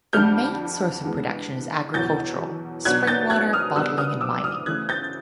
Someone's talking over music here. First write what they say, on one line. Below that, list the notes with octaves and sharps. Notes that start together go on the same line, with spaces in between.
The main source of production is agricultural, spring water bottling and mining.
F2 D3 G3 F6 G6
G2 E3 G#3 B3
E2 B2 F#3 G6 A6
B2 F#3 B3 D4 F#6 G#6
G6 A6
F#6 G#6
D#6 F6
D3 G3 B3 D4 E6 F#6
D#6 F6
D6 E6
D#6 F6
C#3 E3 A3 F#6 G#6
G6 A6